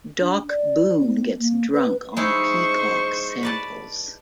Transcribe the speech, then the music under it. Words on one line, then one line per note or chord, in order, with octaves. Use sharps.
Doc Boone gets drunk on Peacock's samples.
D4
D5
B3
A#3
B4
G#3 D#4 E4 C5 C#6
B4 D5 A5